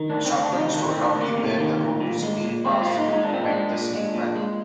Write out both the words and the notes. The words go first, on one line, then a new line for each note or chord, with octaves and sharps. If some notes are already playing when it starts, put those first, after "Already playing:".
Ashopton stood roughly where the road to the Snake Pass met the Snake valley.
Already playing: D#3
D2 D4
C4
D2
D4
C3 D#4
D#3 D4
C4
D2
D4
D2
A#3
C3
D#3
D2
A#2
G#3
A#2
G#3 C4
F4
A#2
D#4
G#3 D#4
D4
A#2 C4
D4
G#3
A#2
G#3
A#2
G#3